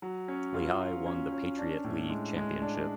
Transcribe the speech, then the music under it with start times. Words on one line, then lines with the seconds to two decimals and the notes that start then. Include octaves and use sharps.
Lehigh won the Patriot League championship.
0.02 F#3
0.28 C#4
0.54 F4
0.80 F4
1.06 C#4
1.32 C#4
1.58 D4
1.84 A2
2.10 G#3
2.37 G#3
2.62 D4